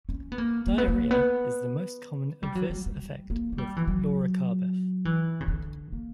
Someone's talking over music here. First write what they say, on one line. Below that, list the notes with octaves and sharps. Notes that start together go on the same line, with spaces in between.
Diarrhea is the most common adverse effect with loracarbef.
C#4
B3
A#3
A#3
B3
A#3
B3
G3
F#3
G3
G3
A#3
A#3
G3
E3
F#3
E3
C#3
D3
A#3